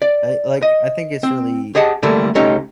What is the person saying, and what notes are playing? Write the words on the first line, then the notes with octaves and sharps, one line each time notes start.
I, like I think it's really
D5
D#5
C4
G4 G#4 D#5 F#5 A5
D3 G3 A3 A#3 E4 A4
C#2 A3 C#4 D#4 G4 A#5